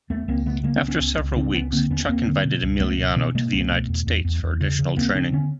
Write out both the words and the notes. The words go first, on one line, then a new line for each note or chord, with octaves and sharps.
After several weeks, Chuck invited Emiliano to the United States for additional training.
D#2 A3 B3
C#2 A#3 C4
C#3 A3 B3
C#3 G#3 A#3
B3 C#4
C#2
B3 C#4
C#2
C#2
C#3 C4 D4
C#2 B3 C#4
D3 A#3 C4
D#2 B3 C#4
D#2 A#3 C4
D3
B2
C#2
C#2 A3 B3
B2
B2 B3 C#4
B2 G#3 A#3
C#2 A3 B3
B2
E2
E2
E2
E2
C#3
C#3
D#2 A#3 C4
C#3 C4 D4
D3 B3 C#4